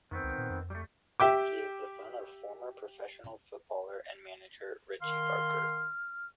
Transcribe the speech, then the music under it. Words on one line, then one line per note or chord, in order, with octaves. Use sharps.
He is the son of former professional footballer and manager Richie Barker.
F2 D#3 B3 C4
C#2
A#2
F2
G3 A3
G4 E5 G5 D6
D#3 F5 C6 F6